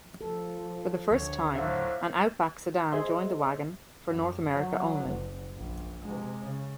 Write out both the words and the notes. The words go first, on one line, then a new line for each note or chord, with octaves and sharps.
For the first time, an Outback sedan joined the wagon for North America only.
F3 A4
D2 C#5
A2 D3 F#3 C5 E5 F5
G#4 C5 D#5 E5 C6
F#2
F#3
F#1
A#1
C3 G#3
C#3